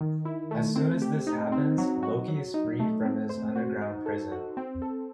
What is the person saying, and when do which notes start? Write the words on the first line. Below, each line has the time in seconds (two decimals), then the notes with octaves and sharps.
As soon as this happens, Loki is freed from his underground prison.
0.01 D#3
0.25 E4
0.51 A3
0.76 C4
1.02 G4
1.27 D#4
1.52 C4
1.78 F#3
2.03 F#4
2.28 F#3
2.54 D#4
2.80 A3
3.05 C4
3.29 C5
3.55 F#4
3.81 D#4
4.06 A4
4.32 F#4
4.57 C4
4.82 A4